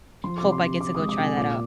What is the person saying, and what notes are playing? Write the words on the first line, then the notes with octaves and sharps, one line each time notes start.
hope I get to go try that out.
F3 C6
C3 D6
C6
C3
C3 D6
G#3 D#6
D6
C3
G#5
A#2 D6